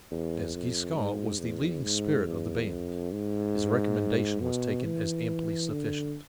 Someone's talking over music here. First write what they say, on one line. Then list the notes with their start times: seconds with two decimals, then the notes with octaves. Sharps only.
As Giscon was the leading spirit of the band his recommendation was taken as amply sufficient.
0.11 E2
0.54 F2
0.96 G#2
1.40 E2
1.83 G#2
2.26 E2
2.69 F2
3.12 G#2
4.41 B2
4.84 E3
5.70 D3